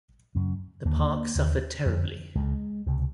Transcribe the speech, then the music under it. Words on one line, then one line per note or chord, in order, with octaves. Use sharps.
The park suffered terribly.
F#2 C#3
D#2 D3 A#3
D#2 D3
F2 D3
C#2 C#3 G#3
C#2 C3